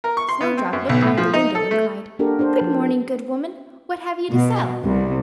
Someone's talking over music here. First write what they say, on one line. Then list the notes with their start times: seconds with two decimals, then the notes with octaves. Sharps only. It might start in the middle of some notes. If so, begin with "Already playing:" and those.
Snowdrop looked out of the window and cried, "Good morning, good woman: what have you to sell?"
0.04 A#4
0.17 C#6
0.29 C6
0.41 B3
0.57 C4
0.73 F#2
0.89 B1
1.02 A2
1.17 F3
1.33 D#4
1.55 A4
1.71 A3
2.19 A#3 D4 F#4 G4 A4 A#4
2.39 D4 G4 C5
2.61 F3
4.31 B2
4.84 C2